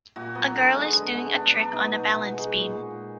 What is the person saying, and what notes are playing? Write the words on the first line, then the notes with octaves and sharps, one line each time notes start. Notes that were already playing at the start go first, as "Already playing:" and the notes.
A girl is doing a trick on a balance beam.
A#2 F#4
F#3 B3
D3
G#3
D3
G#3
B2 D4
F#3 D4
B2 D#4
F#3
B2 D#4
F#4
G#3
G#4
A#2
G#3
A#2